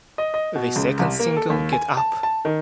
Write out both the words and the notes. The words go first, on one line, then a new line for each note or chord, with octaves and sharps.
The second single Get Up!
D#5
D#5
B2
C#2
C2
A#3
A4
D#2
G#5
A5
A5
D#3